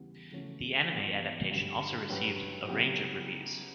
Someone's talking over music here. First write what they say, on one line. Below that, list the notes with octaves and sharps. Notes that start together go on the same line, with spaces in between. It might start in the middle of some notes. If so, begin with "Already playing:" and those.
The anime adaptation also received a range of reviews.
Already playing: E2 C#3 G3 B3
C#3 E3 A3 C#4 F#4
G2 E3 B3 F#4
G2 D3 G3 C#4
G2 F#3 C#4 G4 B4
C#3 F#3 B3 E4 G4